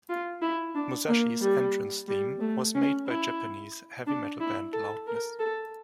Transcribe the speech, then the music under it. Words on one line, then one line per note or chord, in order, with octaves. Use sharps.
Musashi's entrance theme was made by Japanese heavy metal band Loudness.
F4
E4
D4
A#3
G3
G3
A3
C#4
E4
D4
E4
A4
A#4
A4